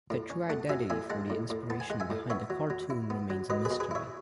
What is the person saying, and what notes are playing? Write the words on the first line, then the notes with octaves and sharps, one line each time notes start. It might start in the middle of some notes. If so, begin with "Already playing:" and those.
The true identity for the inspiration behind the cartoon remains a mystery.
A2
C#4
A3 F#5 A5
F#3 E5 G#5
A2 E5 G#5
G#3 F#5 A5
A2
A2
B3 A5
G#5
G#3 F#5
E5 G#5
A2
B3 C#5 E5
F#3
F#3
E4
B3
F#3
F#3 B4 D#5
G#4 B4
B2
G#4 B4
E4 C#5 E5